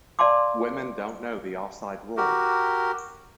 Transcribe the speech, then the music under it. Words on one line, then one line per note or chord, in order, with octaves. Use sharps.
Women don't know the offside rule.
D5 F5 A5 C6 D6
F#4 G4 A#4